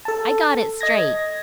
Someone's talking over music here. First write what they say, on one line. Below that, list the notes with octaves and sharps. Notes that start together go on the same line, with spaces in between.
"I got it straight."
A4 A5
D#5 G#6 A#6